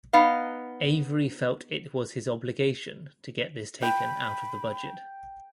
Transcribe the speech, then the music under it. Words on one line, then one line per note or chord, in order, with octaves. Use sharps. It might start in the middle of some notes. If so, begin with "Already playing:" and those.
Avery felt it was his obligation to get this taken out of the budget.
B3 D#4 F5
G5 B5